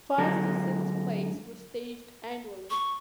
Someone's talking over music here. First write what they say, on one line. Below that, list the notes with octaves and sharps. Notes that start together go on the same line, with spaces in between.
Five to six plays were staged annually.
F#2 D3 G#3 A#4
C#6